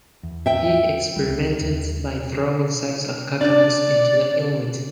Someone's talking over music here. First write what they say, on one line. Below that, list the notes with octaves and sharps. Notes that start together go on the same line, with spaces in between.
He experimented by throwing sacks of coconuts into the inlet.
E2
E5 G5
D2 G3
C#2
D#2
D4 D5